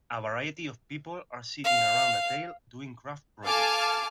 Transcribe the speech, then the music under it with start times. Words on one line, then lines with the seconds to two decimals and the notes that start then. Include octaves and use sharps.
A variety of people are sitting around a tale doing craft projects.
1.64 F5
3.44 A4 F5 G#5 A5 D6 F6